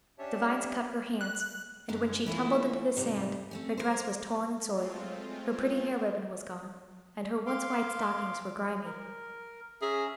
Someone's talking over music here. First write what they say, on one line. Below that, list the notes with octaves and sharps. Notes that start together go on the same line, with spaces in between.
The vines cut her hands, and when she tumbled into the sand her dress was torn and soiled, her pretty hair-ribbon was gone, and her once white stockings were grimy.
C#4 D4 G4 C#5 E5 A5
F#6
F#2 D3 C#4
E3 A3 E4 F4
G#2 C3 G3
A3 C4 C#4
A#4 C5
G#3 A3 C4 F4
F5 C6 D6
A#4
C#4 G#4 E5 A#5